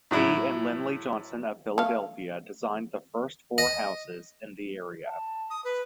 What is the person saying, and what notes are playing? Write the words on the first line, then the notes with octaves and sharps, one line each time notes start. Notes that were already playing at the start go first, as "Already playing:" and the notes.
He and Lindley Johnson of Philadelphia designed the first four houses in the area.
A2 F#3 E4
A3 F5
D#5
A5
D#6
B4